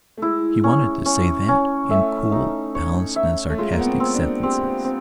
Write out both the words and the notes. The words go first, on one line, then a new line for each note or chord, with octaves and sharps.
She wanted to say that in cool, balanced and sarcastic sentences.
A3
G#3 E4
C#4
C#4
C#4
A3 E5
D#4
C#5
E5
A3
G#3 F4
A#3
B3
C4
C4
D4
C4 G4
C4